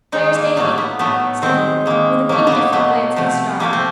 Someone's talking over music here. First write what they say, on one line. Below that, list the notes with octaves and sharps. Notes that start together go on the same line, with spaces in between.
"Where's Davy?" said Marilla, with an indifferent glance at the star.
D#3 G#3 D#4
A#3
A2 F#3 A3 A#3
B3
A2 F#3 A3 B3
D#3 G#3 C4
D#3 G#3 A#3
B2 F#3 A3 A#3
A#3 B3
B2 F#3 A3 B3
C3 F3 A3
C3 F3 A3 A#3
C4